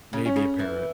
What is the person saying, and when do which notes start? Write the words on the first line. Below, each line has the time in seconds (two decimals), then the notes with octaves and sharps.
Maybe a parrot.
0.13 C#3
0.26 C#4
0.36 C#3
0.59 E2 E3